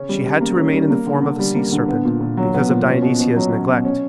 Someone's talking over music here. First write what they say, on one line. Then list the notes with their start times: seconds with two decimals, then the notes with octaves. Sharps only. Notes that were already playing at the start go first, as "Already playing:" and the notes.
She had to remain in the form of a sea serpent because of Dionysia's neglect.
Already playing: C#3 C#4
0.09 G3
0.25 G3
0.41 A#3
0.58 C#4
0.74 G3
0.90 A#3
1.06 D3
1.23 D3
1.39 G3
1.55 A#3
1.72 D3
1.88 B3
2.05 A#2
2.21 A#2
2.37 F#3
2.54 B3
2.70 A#2
2.87 C#4
3.02 B2
3.20 B2
3.36 F#3
3.53 C#4
3.68 B2
3.85 C#4